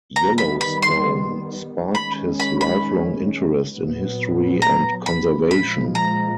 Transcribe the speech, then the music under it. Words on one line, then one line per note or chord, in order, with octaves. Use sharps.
Yellowstone sparked his lifelong interest in history and conservation.
D#3 G3 B3 A#5
B5
B5
C6
D#3 G#3 C#4 B5
B5
B5
A#2 F#3 B3
A#5
B5
A#2 F3 G#3 B5
A#5